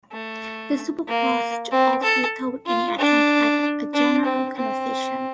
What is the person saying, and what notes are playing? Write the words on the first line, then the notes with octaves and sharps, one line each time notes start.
The supper passed off without any attempt at a general conversation.
A3
A#3
C4
A4
F4
D4
D4
C4
C4